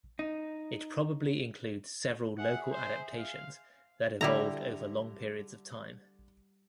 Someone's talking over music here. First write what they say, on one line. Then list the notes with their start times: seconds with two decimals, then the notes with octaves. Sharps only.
It probably includes several local adaptations that evolved over long periods of time.
0.19 D#4
2.38 G#4 E5 F#5
2.72 C5
3.18 F5
4.21 D3 G3 E4 A#5